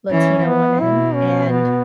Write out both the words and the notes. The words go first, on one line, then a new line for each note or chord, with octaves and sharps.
Latino women, and,
E3 C#4
B3
B2 E4
C#4
B3